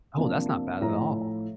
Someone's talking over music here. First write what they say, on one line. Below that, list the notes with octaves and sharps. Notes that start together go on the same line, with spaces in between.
Oh, that's not bad at all.
C3 F3 A#3 D4
A2 F3 A3 E4 A#5